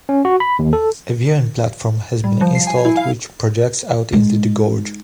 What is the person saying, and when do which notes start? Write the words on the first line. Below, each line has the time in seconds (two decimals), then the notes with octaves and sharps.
A viewing platform has been installed which projects out into the Gorge.
0.09 C#4
0.25 F#4
0.40 B5
0.59 D#2
0.73 A4
2.24 G3
2.41 F3
2.55 C7
2.67 G#5
2.85 E4
2.97 F5
4.13 G#3 D#4